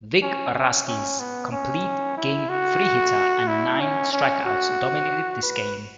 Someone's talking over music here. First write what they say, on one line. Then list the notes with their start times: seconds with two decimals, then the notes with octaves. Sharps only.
Vic Raschi's complete-game three-hitter and nine strikeouts dominated this game.
0.22 C#4
0.55 C#4
0.87 C#4
1.20 B3
1.52 C#4
2.17 E4
2.49 F#4
3.47 E4
3.80 C#4
4.13 C#4
4.45 F#4
5.43 B4